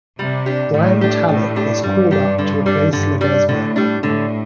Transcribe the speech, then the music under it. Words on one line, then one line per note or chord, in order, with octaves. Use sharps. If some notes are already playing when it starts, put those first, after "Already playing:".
Brian Tallet was called up to replace Ledezma.
C3 G3
D4 G4
A2 G3
D4 G4
A2 G3
D4 G4
G2 G3
D4 G4
D3
G3 D4
G2 D3
G3 D4
A2 D3
G3 D4
A2 D3